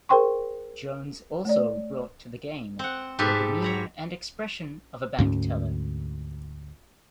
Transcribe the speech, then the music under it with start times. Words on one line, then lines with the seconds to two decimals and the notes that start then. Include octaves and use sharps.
Jones also brought to the game the demeanor and expression of a bank teller.
0.09 G#4 A#4 C5 G5 C6 C#6
1.45 A3 C#5 D5
2.79 C4 F#5
3.19 G#2 G4 A4 B4 E5
3.62 C#5 A#5 B5
5.19 D2 G#2 C#4